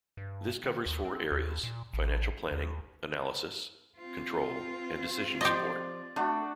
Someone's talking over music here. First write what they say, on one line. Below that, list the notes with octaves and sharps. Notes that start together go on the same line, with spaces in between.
This covers four areas: financial planning, analysis, control, and decision support.
G2
D#3
D#2
C4
D#2
A#2
A1
D#2
C4 F4
F3 G4 C5 D5 D#5
A3 D4 F#4